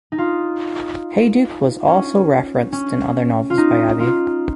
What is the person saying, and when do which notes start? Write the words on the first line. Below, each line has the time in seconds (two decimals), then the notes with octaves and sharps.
Hayduke was also referenced in other novels by Abbey.
0.12 D#4
0.18 F4
1.88 C#4
2.72 C#4
3.50 F4
3.58 D#4
4.00 F4